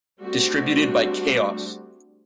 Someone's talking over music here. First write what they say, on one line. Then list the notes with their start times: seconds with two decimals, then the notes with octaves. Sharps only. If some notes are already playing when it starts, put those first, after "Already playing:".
Distributed by Chaos!
0.21 G3 A3 C4 D4 F#4